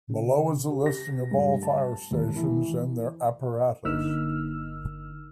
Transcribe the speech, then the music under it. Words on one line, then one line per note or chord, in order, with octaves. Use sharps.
Below is a listing of all fire stations and their apparatus.
C#3
G4
A#6
G2
A5
D#2
E3
G1 D3 A#3 D#4 E6 F6